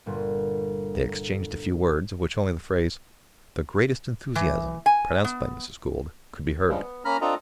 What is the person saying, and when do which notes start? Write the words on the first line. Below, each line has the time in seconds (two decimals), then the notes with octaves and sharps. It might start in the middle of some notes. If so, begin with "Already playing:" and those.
They exchanged a few words, of which only the phrase, "The greatest enthusiasm," pronounced by Mrs. Gould, could be heard.
0.06 G1 A#2
4.35 E3
4.86 G#5
5.24 B3
6.69 G2 C#3 F3 G3 G#3
6.81 B3
7.05 A#3 C#4 A#5 B5 F6
7.21 C4 D4 F4 A4 D#5 A#5